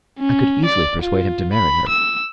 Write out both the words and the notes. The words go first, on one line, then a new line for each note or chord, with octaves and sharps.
I could easily persuade him to marry her.
C#4
D5
F4
B5
E6